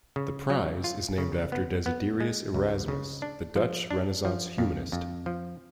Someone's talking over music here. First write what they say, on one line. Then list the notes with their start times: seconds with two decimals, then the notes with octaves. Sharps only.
The prize is named after Desiderius Erasmus, the Dutch Renaissance humanist.
0.16 C#3
0.50 F#3
0.84 F4
1.18 C#3
1.52 B3
1.86 B3
2.20 G#3
2.54 C#2
2.88 C#3
3.22 D4
3.56 F3
3.91 D4
4.25 F3
4.58 F2
4.92 F2
5.26 F3